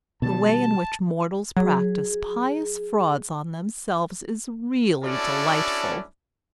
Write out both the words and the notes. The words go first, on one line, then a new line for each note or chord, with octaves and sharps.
The way in which mortals practise pious frauds on themselves is really delightful!
B2 D#3 G3 A5
F#3 G#4
C#4 D4 E4 F#4 A4 D5